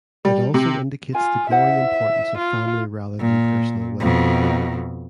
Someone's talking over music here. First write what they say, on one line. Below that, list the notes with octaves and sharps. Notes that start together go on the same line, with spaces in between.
It also indicates the growing importance of family rather than personal wealth.
G3
C3
F4 G#5
E4 C5 E5 F#5
F4
A#2
F2 B2